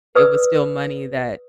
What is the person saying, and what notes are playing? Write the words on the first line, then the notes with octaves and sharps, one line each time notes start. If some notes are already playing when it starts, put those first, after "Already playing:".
it was still money that
B4 D5 D#6 E6